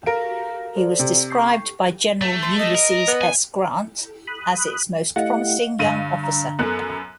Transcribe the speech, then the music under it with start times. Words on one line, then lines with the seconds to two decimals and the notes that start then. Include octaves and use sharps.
He was described by General Ulysses S. Grant as its most promising young officer.
0.06 A#4 F5 A#6 D7
0.75 A4 C5 D5
0.99 C3
1.30 C#6 G6 C7
2.21 A3
2.42 C6
2.58 D#5
2.75 A#4
3.07 B3
3.21 G#5
4.27 B5 D#6 F#6
5.16 A3 E4 G4 D#5 F5 F#5
5.79 G2 D3 F5 D#7
6.24 A#5
6.59 F#2 B3 A4 A#4 F#6